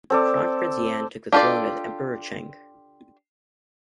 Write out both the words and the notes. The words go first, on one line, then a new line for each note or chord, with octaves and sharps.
Crown Prince Yan took the throne as Emperor Cheng.
C4 A4 D5
D4 F4 G4 A4 D5